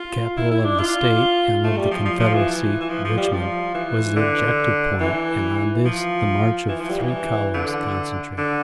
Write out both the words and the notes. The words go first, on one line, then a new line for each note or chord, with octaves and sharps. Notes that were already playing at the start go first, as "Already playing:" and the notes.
The capital of the State and of the Confederacy, Richmond, was the objective point, and on this the march of three columns concentrated.
Already playing: F4
E4
E4
D4
F4
A3
G3
F3
F3
F3
E3
E3
F3
F3
G3
F3
E3
D3
E3
F3
E3
F3
G3
E3
D3
D3